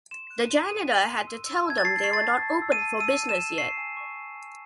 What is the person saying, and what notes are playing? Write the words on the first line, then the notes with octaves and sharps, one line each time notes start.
The janitor had to tell them they were not open for business yet.
C6 E7
F#6
D#7
C6
D#6 D#7
C6
C6
E6
E6
A5 G#6
A6
A5 C7
C#6 C7
A6
A5
A5
E6
D#7
A5
E6 D#7
A5
E7
A5
C#6 C7
G#5
C#6
G#5
G#5